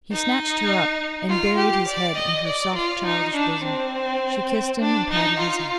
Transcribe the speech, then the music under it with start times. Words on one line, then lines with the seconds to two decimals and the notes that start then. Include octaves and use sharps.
He snatched her up, and buried his head in her soft, childish bosom. She kissed him and patted his hair.
0.11 D#4
1.29 F4
1.58 G4
1.88 D5
2.17 D#5
2.46 D5
2.75 F4
3.06 D#4
3.35 D4
3.64 C4
4.80 D4
5.11 D#4
5.40 F4